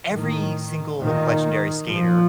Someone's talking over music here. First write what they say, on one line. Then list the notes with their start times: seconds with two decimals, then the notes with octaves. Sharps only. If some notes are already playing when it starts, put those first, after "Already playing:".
every single legendary skater
0.11 A2 D#3
0.99 A#2 D#3
1.87 A#2 F3